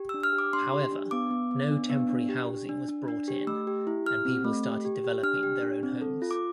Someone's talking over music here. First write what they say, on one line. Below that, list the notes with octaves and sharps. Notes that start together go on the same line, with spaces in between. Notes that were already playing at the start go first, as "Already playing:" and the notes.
However, no temporary housing was brought in, and people started developing their own homes.
Already playing: G4
E6
D4
F6
G4
D6
D4 C6
G4
D4
B3 D6
B3
B3
D4
B3
D4
G4
D4
D4
D4
D4
G4
A3 E6
G4
E4
G4 F6
C4
A3
G4
G4
G4
D4 F6
G4
D4
C4
A4
F4
D6